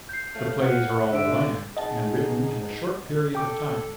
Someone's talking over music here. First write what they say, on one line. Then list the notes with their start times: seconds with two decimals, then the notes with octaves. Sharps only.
The plays are all one-act, and written in a short period of time.
0.09 G6 C7
0.35 A2 A3 F5
0.61 F#5
1.12 D3 D4 E5 D7
1.77 D#4 G#4 D#5 F#5 A5
3.35 A4 G5 D6